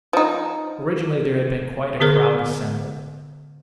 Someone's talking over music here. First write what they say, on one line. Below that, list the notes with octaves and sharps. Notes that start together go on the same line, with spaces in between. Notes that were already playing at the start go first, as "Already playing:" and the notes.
Originally there had been quite a crowd assembled.
F3 D#4
D3 B3 G#4 A#4 F6